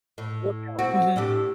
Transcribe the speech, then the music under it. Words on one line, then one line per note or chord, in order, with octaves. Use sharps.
workout? Mhm.
A2
C4 F#4
A2 D4 G4